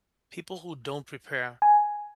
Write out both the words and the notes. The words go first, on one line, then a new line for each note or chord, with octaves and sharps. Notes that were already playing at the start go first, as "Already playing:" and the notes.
people who don't prepare
G#5